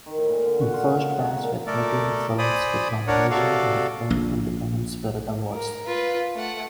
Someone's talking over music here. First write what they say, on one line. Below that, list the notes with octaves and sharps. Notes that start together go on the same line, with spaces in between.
The first batch were thirteen films with nominations in the Film Independent Spirit Awards.
D#3
A2
A#2
D3
F#4
F4
G#3
F#5
D#4
A#2
A3 A4 A#4 D5
C5 D5 G#5 B5 D#6
D4 A#4 C#5 D5 F#5
C3 F#4 A4 D5 F5
A#1
A#4
F4 B4
A3 F#5